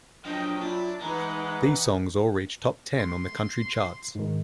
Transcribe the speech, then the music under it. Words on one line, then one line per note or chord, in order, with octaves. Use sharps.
These songs all reached Top Ten on the country charts.
A#2 F3 F#3 D4 D#5 G5
D4 E4 F4
E3 G#3 D#4 B4 F#5 A#5
C6
G#2 D#3